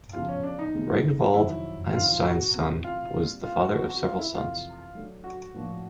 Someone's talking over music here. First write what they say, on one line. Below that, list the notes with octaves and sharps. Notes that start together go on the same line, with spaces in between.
Ragnvald Eysteinsson was the father of several sons.
E2 C#3 F3 F4
C#4
D4
D#4
D2 C3 D#3 G#3 B3
F2 C3 D#3 F#3 E4
F2 C3 D#3 F#3 F4
F4
F#4
D2 C3 E3 A3 C4
F4
A#2 G3 C4
F4
F#4
E3 G#3 C4 F#4
F#4
F4
E4
F2 C3 E3 A3 C4 F4
F#3 A3 D4
F#4
A2 F3 A#3 D4